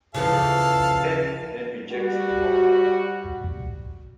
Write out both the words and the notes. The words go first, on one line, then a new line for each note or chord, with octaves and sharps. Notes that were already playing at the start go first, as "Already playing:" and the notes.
Ted then rejects the offer.
C#3 E3 F3 A4 F5
G3 F#4